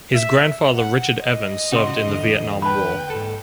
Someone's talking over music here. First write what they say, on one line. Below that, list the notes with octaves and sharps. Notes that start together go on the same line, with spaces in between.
His grandfather Richard Evans served in the Vietnam War.
E5
F#5
D#5
C#3 C#4 F#4 C6
E2 D3
B4 G5 A5 B5
G#2 A4